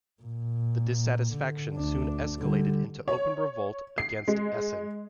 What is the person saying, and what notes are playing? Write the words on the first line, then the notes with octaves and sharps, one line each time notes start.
This dissatisfaction soon escalated into open revolt against Esen.
A#2
D3
D2 D4
D3 G3
C#5
C7
G#3